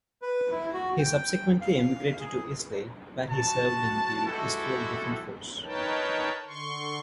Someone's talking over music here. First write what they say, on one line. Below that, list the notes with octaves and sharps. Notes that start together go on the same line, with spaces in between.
He subsequently emigrated to Israel, where he served in the Israel Defense Forces.
B4
E4
F#4
G5
F5
G#4
F#4 A5
G#3 E4 F#4 G4 A4
D#4 A#4 B4 C#5 G5 A5
D3 C6 C#6